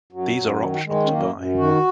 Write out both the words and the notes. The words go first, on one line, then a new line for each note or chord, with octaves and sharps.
These are optional to buy.
F#2 F#3
F#2
D#3
D#3 G#3
C#4
F#2 A#3
F#2
D#3 F#4